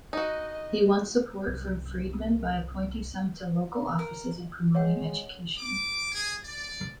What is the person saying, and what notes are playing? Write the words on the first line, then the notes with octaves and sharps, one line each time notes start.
He won support from freedmen by appointing some to local offices and promoting education.
D#4 F#4 D#5
C2 F#2
A#4
G#3 C#5 F#5 G5
D6
G#4
D5